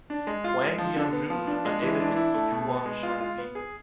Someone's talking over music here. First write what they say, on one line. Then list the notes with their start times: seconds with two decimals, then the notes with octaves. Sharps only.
Wang Dianjun, a native in Yichuan, Shaanxi.
0.10 D4
0.27 G#3
0.44 F4
0.61 G#3
0.78 F3
0.96 D3
1.13 B3
1.30 F3
1.47 D4
1.65 G#3
1.82 E3
2.00 D4
2.17 E4
2.34 A3
2.52 B2
2.69 B3
2.86 G#3
3.03 F4
3.21 F4
3.38 B3
3.55 G#4